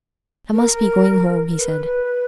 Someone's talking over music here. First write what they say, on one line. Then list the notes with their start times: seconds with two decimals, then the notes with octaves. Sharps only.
"I must be going home," he said.
0.53 A#4
1.58 B4